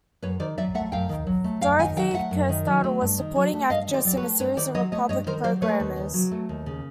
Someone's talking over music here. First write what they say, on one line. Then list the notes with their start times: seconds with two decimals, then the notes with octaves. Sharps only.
Dorothy co-starred or was supporting actress in a series of Republic programmers.
0.22 F#2 B4 C#5
0.40 D#3 C5 D5
0.58 F#3 D5 E5
0.74 A3 E5 F#5
0.92 F#2 F5 G5
1.09 D#3
1.27 F#3
1.44 A3
1.61 F#2 F5 G5
1.79 D#3 F#5 G#5
1.96 F#3 F5 G5
2.13 A3 E5 F#5
2.31 F#2
2.49 D#3
2.67 F#3
2.84 A3
3.01 G2
3.18 D#3
3.35 F#3
3.53 A3
3.70 G2 D#5 F5
3.88 D#3
3.93 C5 D5
4.05 F#3 D5
4.17 B4 C#5
4.22 A3
4.39 G2 B4 C#5
4.57 D#3 C5 D5
4.74 F#3 C#5 D#5
4.92 A3 C#5 D#5
5.09 G2 C#5 D#5
5.27 D#3 A#4 C5
5.44 F#3 C5 D5
5.62 A3 B4 C#5
5.80 D#2
5.96 C#3
6.14 F#3
6.32 A3
6.49 D#2
6.66 C#3